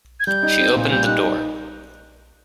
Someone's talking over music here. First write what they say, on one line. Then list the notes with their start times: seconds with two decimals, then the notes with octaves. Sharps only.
She opened the door.
0.20 G#6
0.27 G3 G6
0.43 D#4
0.60 C4
0.76 A#2
0.92 G3 G6
1.06 D#4 F#6